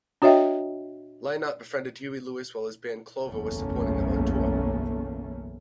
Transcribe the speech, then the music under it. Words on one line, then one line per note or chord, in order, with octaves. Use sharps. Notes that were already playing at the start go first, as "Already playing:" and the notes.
Lynott befriended Huey Lewis while his band, Clover, was supporting them on tour.
D4 F#4 C#5 D#5 E5 G5
F#1 B1 E2 A3 A#3 C#4